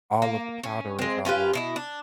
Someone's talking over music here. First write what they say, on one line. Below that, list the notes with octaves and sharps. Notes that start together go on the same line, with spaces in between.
all of the powder is almost
A#3
C#4
G#3 C4
C#4 F4 G4 B4
B2 E4 D#5
D4